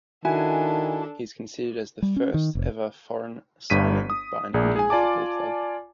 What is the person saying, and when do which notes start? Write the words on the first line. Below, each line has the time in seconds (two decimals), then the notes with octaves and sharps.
He is considered as the first ever foreign signing by an Indian football club.
0.25 D#3 D4 E4 F#4 A4 G#5
2.02 G3
2.16 C#4
2.34 D#3
2.55 F1
3.70 G1 G2 B6 D#7
4.10 D#6
4.54 A#1 G#4 D5
4.76 G#4 G#5
4.90 F4 D5 G#5 A5 D6